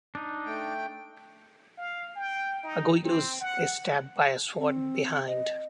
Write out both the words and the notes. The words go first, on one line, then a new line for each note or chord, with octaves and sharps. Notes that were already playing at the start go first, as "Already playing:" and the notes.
Aguiluz is stabbed by a sword behind.
D4 D#4
A3 G5
F5
G5
D#4
C4
F#5
C4
D#5